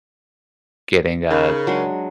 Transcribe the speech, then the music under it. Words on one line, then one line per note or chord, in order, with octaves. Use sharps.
getting a,
C#3 D#4 A#4 B5
F#3 G#3 D4